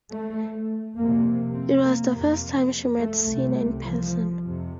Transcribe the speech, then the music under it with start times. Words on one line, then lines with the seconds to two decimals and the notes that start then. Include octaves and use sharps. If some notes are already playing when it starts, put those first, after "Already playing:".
It was the first time she met Cena in person.
0.10 A3
0.96 F2 C3 A#3
1.54 C4
1.83 A#3
2.11 F2 C3
2.98 A3
3.27 C2 C3
3.84 F3
4.42 F2 C3